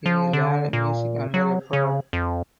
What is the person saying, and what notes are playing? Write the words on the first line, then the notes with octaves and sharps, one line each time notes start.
He learned music under Fr.
F3
D3
A#2
F#3
C#3
F2